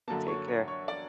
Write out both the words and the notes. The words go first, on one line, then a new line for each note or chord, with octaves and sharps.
Take care.
F#2 D3 F#3 A#3 A4 A5
C#5 C#6
C#5 C#6
C#5 C#6
D5 D6